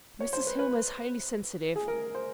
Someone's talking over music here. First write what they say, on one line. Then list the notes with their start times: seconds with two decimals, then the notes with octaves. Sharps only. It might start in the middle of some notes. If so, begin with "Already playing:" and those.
Mrs. Hillmer is highly sensitive.
0.20 C#5
0.33 C5
0.47 B4
0.59 B4
1.76 G#4
1.88 A#4
2.15 C5